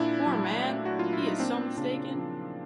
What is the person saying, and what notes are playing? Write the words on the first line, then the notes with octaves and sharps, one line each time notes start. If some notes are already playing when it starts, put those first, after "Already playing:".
Poor man! he is so mistaken!
Already playing: A#2 D4 E4
F#3
A3
F#4
A#2 F4
E4
D#4
A#3 C4 D4
C#3 C4 D4
F3